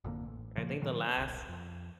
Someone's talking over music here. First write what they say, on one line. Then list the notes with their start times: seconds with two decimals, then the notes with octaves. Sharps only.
I think the last
0.04 G#1 F2 D3 A#3
0.25 A1
0.58 A#2 C#3 F3 A#3
0.82 A#2 D#3 F#3
1.17 D#1 B1
1.49 F2